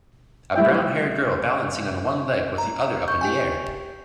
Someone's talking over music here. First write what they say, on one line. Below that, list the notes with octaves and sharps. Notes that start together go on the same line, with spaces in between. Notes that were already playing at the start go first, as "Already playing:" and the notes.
A brownhaired girl balancing on one leg with the other up in the air.
G3 A3 E4 E5 G5
A#5
C#6 G6
G4 G5 G#5